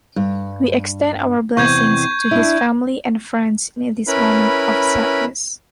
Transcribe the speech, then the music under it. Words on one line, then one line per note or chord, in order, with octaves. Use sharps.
We extend our blessings to his family and friends in this moment of sadness.
G2
E2 C3 C#6 G6 G#6
D4 E4
C#4 E4 A#4 B4 B5